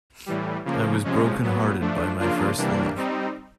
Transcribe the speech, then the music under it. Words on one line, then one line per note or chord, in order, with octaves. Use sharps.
I was broken hearted by my first love.
A2 E3 G3
C#3 F3 A#3
C3 F3 G#3 C#4
A#2 F#3 B3
F3 A3 D4
C#3 F3 A#3 D4 F4
C3 E3 G3 A#3 D4
G3 C4 D#4